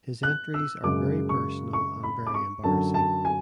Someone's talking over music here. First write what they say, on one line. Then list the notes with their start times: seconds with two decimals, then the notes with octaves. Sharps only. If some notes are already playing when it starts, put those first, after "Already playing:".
His entries are very personal and very embarrassing.
0.23 F#6
0.54 E6
0.84 F#2 C#3 G#3 D6
1.29 C#6
1.73 C#6
2.03 B5
2.27 D6
2.34 C#6
2.64 F#2 D3 F#3 A5
2.94 A5
3.25 G#5